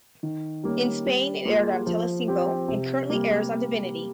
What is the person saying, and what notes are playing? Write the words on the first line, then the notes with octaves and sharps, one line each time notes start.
In Spain it aired on Telecinco and currently airs on Divinity.
D#3
G3 A#3 C#4
G3
A#3 F4 G#4
F3
C4 G4
C3
G3 A#3